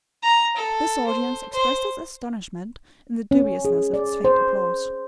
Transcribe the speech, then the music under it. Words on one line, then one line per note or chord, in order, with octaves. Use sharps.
This audience expressed its astonishment, in the dubiousness of its faint applause.
A#5
A4
C5
C5
C#4
G#4
D5
C5